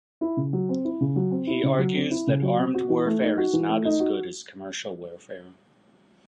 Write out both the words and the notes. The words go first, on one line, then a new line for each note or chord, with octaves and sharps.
He argues that "armed warfare" is not as good as "commercial warfare".
E4
C#3
F#3
C4
E4
C#3
F#3
C4
E4
C#3
F#3
C4
E4
C#3
F#3
C4
F#4
E3
A3
D#4
F#4
E3
A3
D#4
F#4